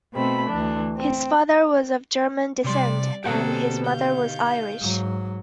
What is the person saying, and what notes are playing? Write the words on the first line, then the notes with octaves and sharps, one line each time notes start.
His father was of German descent, and his mother was Irish.
B2 A3 C4 B5
D2 E3 D4
C4
C3 G3 D5 C6
B2 D3 A#3 C4 G4 A4 F#5 A#5
D#3 F5 G6
G#2 F#3